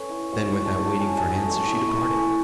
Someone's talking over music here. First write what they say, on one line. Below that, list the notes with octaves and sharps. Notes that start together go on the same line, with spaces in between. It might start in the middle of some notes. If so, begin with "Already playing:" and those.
Then, without waiting for an answer, she departed.
Already playing: C#4 A4 B4 C#5
E4 B5
F#3 C#6
F#3
A5
F#3
C#4 G#5
F#3 A5
D#6
C#6
A3
C#6
E4 B5
C#6
E4 B5
G#5
A3